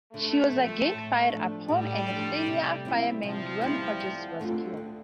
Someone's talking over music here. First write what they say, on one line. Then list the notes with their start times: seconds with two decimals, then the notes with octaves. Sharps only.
She was again fired upon, and a sailor, fireman Duane Hodges, was killed.
0.13 D3 A3
0.52 F3 C4
0.92 A2
1.30 F3 A3 D4
1.68 A2 G3
2.07 F3 A3 D4
2.46 C3
2.85 G3 C4 E4
3.23 C3 F3
3.62 G3 C4 E4
4.00 D2
4.40 D3 A3 C4 F4
4.77 D2